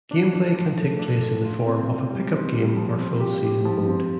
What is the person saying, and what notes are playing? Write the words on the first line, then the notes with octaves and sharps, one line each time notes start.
Gameplay can take place in the form of a pickup game or full-season mode.
D4
D4
F3
A3
D4
A3
F4
C4
C4
G3
C4
G3
F3
C4
G4
G4
F3
C4